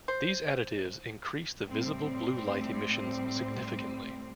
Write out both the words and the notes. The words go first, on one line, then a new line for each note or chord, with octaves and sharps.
These additives increase the visible blue light emissions significantly.
C5
A2 G3 C4